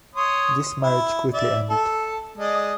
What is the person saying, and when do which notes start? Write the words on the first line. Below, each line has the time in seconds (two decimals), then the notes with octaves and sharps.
This marriage quickly ended.
0.15 C#5 C6 D#6
0.83 E4
1.33 D5 E5
1.70 A4
2.38 G#3 D5 D#5